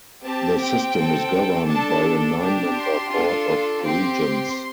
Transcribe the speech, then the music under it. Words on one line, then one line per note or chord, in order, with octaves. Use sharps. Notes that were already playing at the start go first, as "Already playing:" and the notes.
The System is governed by a nine-member Board of Regents.
C4 G4 A5
G5
C4 A4
D4 A4 A5
D4 G4
C6
D4 F4 A4
C4 G4 C6